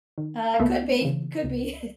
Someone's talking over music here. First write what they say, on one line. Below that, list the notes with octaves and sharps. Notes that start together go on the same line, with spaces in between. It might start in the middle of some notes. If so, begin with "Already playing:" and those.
Ah, could be could be,
D#3
A#3
C#2 A3 B3
C#3 E3
C#2